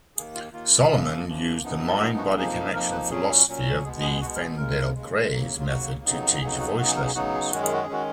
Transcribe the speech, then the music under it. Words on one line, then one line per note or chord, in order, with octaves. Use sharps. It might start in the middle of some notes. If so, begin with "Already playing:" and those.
Solomon used the mind-body connection philosophy of the Feldenkrais method to teach voice lessons.
D#2 D#3 A#3 G#4
F4
D#2 D#3 A#3 F4
F#2 F3 A#3
F#2 F3 A#3
F#2 F3 B3 D#4
F4
F#2 F3 B3 D#4 F#4
F#4
F2 F3 A#3 D#4 G#4
F2 F3 A#3 D#4 A#4
B4
A#2 F#3 C#4 G#4
A#2 F#3 C#4
B2 G#3 B3 G#4
G#4
G#4
B2 G#3 B3 F#4
A#4
G#4
D#2 C#3 G#3 A#4
D#2 C#3 G#3
D#2 C#3 F#3 A#3
F4
D#2 C#3 F#3 A#3 F#4
F2 C#3 F#3 B3 D#4
F2 C#3 F#3 B3 D#4 G#4
F#4
C#3 F#3 B3 D#4 F#4
G#4
A#4
G#4
C#3 F#3 B3 D#4 F#4
G#4
F#2 D#3 G#3 C#4 F#4
G#4
F#4
G#4
D#3 G#3 C#4 F#4